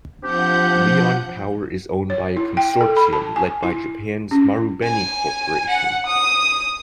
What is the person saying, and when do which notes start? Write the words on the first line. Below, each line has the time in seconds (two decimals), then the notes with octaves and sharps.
Lion Power is owned by a consortium led by Japan's Marubeni Corporation.
0.23 F3 C4 D4 G4 F#5 G6
2.10 C#5
2.37 E4
2.57 G5
2.81 A4
2.97 B5
3.13 A5
3.36 G#5
3.63 E4
4.31 C#4
4.84 G#5
5.70 F#5
6.07 D#6